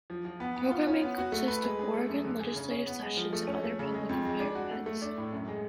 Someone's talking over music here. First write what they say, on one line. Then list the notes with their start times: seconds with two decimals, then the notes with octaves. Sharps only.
Programming consists of Oregon legislative sessions and other public affairs events.
0.10 F3
0.25 F3
0.40 B3
0.56 B3
0.71 F4
0.87 C#4
1.02 B3
1.18 F#4
1.32 A3
1.48 B4
1.63 G#3
1.79 G#4
1.94 A3
2.09 F#2
2.25 D3
2.40 G#4
2.56 C#3
2.71 C#4
2.87 B3
3.02 G#3
3.17 F3
3.33 A3
3.48 C#4
3.63 A3
3.79 C#3
3.94 G#3
4.09 F2
4.25 G#3
4.40 D4
4.55 F#4
4.71 A3
4.86 A3
5.02 D4
5.18 A2
5.32 F#2
5.48 G#3